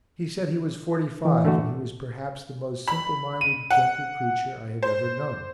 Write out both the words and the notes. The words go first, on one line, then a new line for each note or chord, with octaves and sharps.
He said he was forty-five and he was perhaps the most simple-minded, gentle creature I have ever known.
E3
D3 A3 F#4
B5
D#7
F#5
C5